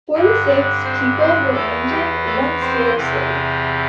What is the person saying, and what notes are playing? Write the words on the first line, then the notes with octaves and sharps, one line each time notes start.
Forty-six people were injured; one seriously.
G2 D3
D4 D5
C4 C5
C4 C5
E2 E3 A3 A4
G3 G4
A3 A4
C4 C5
E2 C3 E3